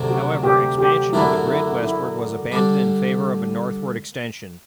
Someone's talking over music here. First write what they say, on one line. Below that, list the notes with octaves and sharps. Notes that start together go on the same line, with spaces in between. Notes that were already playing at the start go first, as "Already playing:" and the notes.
However, expansion of the grid westward was abandoned in favour of a northward extension.
Already playing: D2 C3 F#3 A3 D4
F#4
G4
G4
F#2 D3 F#3 A3 D4 E4
E4
E4
D3 G3 D4